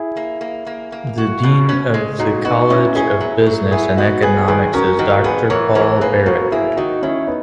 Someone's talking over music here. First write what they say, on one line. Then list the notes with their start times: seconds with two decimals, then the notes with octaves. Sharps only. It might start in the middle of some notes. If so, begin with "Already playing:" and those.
The Dean of the College of Business and Economics is Doctor Paul Barrett.
Already playing: E4 G#4
0.17 A#3
0.41 A#3
0.67 A#3
0.92 A#3
1.18 F#4
1.43 B2
1.69 C#4
1.94 G#3
2.19 A#2 D#4 F#4
2.45 B3 D#4 F#4
2.70 A#2 C#4 E4
2.95 C#4 E4 G#4
3.21 F#3
3.46 F#3
3.71 B3 E4 G#4
3.97 B3 D#4 F#4
4.22 B3 G#4 B4
4.48 D#3 G#4 B4
4.73 C#4 F#4 A#4
4.99 D#3 F#4 A#4
5.24 B3 G#4 B4
5.50 E3 A#4 C#5
5.75 E3 A#4 C#5
6.00 A#3 G#4 B4
6.26 B2 F#4 A#4
6.52 A#3 E4 G#4
6.77 D#3 D#4 F#4
7.02 D#3 C#4 E4
7.27 B3 D#4